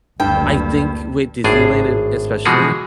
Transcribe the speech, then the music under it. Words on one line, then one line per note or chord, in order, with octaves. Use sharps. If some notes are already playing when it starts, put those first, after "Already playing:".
I think with Disneyland, it especially,
F#1 D2 G2 G5
G#1 A2 D4 G#4
B2 E3 F3 G#3 F#4 G#4